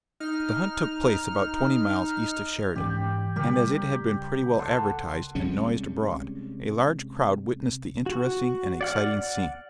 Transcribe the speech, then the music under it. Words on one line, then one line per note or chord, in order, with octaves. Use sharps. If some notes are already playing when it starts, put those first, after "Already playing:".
The hunt took place about twenty miles east of Sheridan, and as it had been pretty well advertised and noised abroad, a large crowd witnessed the interesting and exciting scene.
D#4 F6
G#2 E3 C#4 G4 D5 G5
C#3 G3 G4 A#4 D5
A4 F#5 C6
C3 G3 G#3 C#4
F#4
D5 F#5 F6